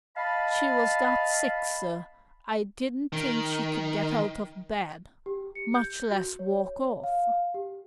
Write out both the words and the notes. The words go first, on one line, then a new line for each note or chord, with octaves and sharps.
"She was that sick, sir, I didn't think she could get out of bed, much less walk off."
D#5 F5 A5 B5
D#3
G4
C#7
G6
F#4
C#5
F5
G4